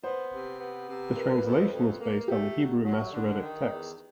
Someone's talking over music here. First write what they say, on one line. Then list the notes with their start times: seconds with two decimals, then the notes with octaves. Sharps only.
The translation is based on the Hebrew Masoretic text.
0.03 B3 C5
0.32 C3
0.60 B3
0.88 C3
1.16 A#3 B4
1.26 A#4
1.34 B4
1.44 F2
1.72 F2
2.00 A#3
2.28 A3 G4
2.56 F#3
2.84 F#3
3.12 D3
3.41 D#3
3.69 E2